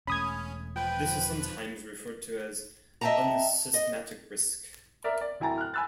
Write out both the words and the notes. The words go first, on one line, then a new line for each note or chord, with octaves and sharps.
This is sometimes referred to as "unsystematic risk".
E1 A3 C#4 B5 D#6 G#6
F3 B4 G5
D#5 E5 F#5 G5 A5 A#5
D#5
A#4 D5 E5
D5
D1 E4 G#5 A#5 A6
F6 F#6
G#5 B5 E6 F#6 A6